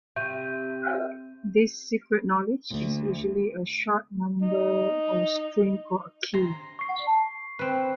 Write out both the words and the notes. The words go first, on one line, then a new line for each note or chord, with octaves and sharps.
This secret knowledge is usually a short number or string called a "key".
C3 E5 G6 D#7
D2
D#4
A#5 C6
C#6 C7
C4 B4